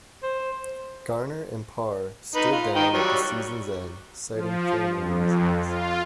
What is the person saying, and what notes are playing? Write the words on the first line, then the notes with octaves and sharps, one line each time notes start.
Garner and Parr stood down at the season's end, citing family reasons.
C5
D#4 B4
F4
D#3 D#4 G5
F#3 G3 C#5
F3
F2
F4